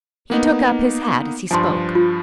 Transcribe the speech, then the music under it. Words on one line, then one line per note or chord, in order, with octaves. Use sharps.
He took up his hat as he spoke.
A#3 B3 D#4
G2 F3 G#5 A5 C6
F4